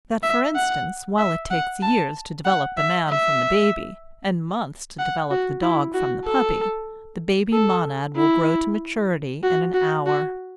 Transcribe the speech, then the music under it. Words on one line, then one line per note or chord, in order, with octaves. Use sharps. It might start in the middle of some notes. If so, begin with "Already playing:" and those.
That, for instance, while it takes years to develop the man from the baby, and months to develop the dog from the puppy, the baby monad will grow to maturity in an hour.
E5
F#5
E5
F#5
A5
F#5
E5
E5
F#5
F#4
E4
F#4
A4
A4
E4
F#4
F#4
F#4